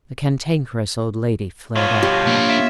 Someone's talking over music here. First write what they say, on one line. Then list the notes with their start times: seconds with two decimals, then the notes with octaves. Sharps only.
The Cantankerous Old Lady flared up.
1.75 G2 B2 F4 C#5
2.03 G4
2.27 A#3 D4
2.50 E5